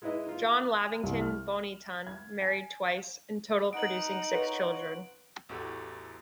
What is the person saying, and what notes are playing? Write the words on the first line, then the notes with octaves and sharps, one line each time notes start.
John Lavington Bonython married twice, in total producing six children.
G#3 D#4 E4 B4 D#5 E5
D#4 F4
C2
F6
G#6
G#5
B3 D#4 F#5 D#6 D7 F#7
B3 F4 B4 C#5
A1 E2 F#4 G4 A4